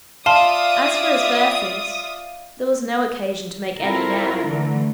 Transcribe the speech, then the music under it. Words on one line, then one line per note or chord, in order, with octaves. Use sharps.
As for his verses, there was no occasion to make any now.
F4 D5 E5 F5 A5 C6 D#6
C4 E4 F4 A4 A#4
D3 E3 A3